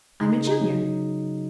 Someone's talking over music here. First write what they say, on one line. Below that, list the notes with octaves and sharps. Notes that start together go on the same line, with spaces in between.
I'm a Junior.
C#3 D#4
C#3
D#4
F#3